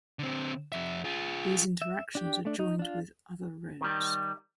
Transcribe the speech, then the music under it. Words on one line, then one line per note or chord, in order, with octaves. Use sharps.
These interactions are joined with other roads.
D3 C4
F2 E5
F4 G#4
E5
D4 G4 G5
A3 D4
D#4
D4 F4
D#3 G3